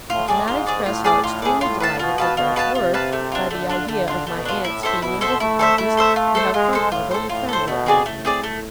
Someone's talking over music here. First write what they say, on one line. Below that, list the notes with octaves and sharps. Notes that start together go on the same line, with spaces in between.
I cannot express how extremely delighted they both were, by the idea of my aunt's being in difficulties; and how comfortable and friendly it made them.
A2 F4
G#4 D5
G#2 F4
G#4 D5
A2 F4
G#4 D5
F4
G#4 D5
A2 F4
B4 F5 A5
B2 F4
B4 F5 A5
B2 F4
B4 F5 A5
C3 F4
B4 F5 A5
A3
D4 F4
D3 A3
D4 F4
D3 A3
D4 F4
B2 A3
D4 F4
A2 E4
A4 C5 E5
B2 E4
A4 C5 E5
A3 E4
A4 C5 E5
A3 E4
A4 C5 E5
F4
A4 C5
G#3 F4
A4 C5
A2 F4
A4 C5
A2 F4
A4 C5
B2 A3
C4 G#4 D5
A2 A3
C4 G#4 D5
A3